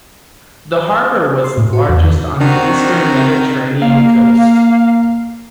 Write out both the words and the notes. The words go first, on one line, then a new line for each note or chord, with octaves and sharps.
The harbor was the largest on the eastern Mediterranean coast.
C6
A2
F#4
E2
D#3
D#3 C4 D4 F#4
A#3 F5